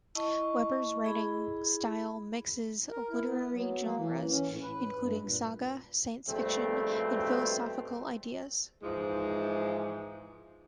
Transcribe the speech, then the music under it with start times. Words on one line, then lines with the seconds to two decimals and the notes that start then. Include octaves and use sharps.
Werber's writing style mixes literary genres, including saga, science fiction and philosophical ideas.
0.15 E4 D#5 A5 C#6
1.04 E4 G#4 B5
2.91 A#4
3.10 E4
3.24 B3
3.53 F#3
3.82 A#3
3.97 E3
4.28 C#4
4.48 A2
4.62 B4
4.97 G2
5.23 A#2
6.29 A#1 G2 B2 A3 C4
8.83 G#2 E3 F3 G#3